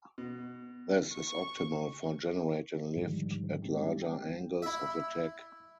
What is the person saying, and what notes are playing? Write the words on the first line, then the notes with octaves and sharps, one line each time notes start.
This is optimal for generating lift at larger angles of attack.
B2
C#6
G#2 D3 D#3 F3 G3 G#3
G3 G#3 C4 D4 G4
G5
E4 E5